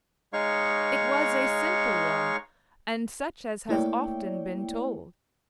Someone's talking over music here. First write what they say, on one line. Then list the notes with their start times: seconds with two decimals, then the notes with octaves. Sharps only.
It was a simple one, and such as has often been told.
0.33 G#3 D#4 C#5 F5 C#6
3.69 A3 A#3 E4 C#5 D5 G5